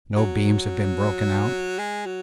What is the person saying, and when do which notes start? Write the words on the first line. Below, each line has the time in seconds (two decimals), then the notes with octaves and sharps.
No beams have been broken out.
0.16 F#3
1.78 G#3
2.06 F#3